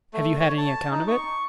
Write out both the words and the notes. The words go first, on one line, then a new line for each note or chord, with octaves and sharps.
"Have you had any account of it?"
A3
C#5
A5
D#4
C#6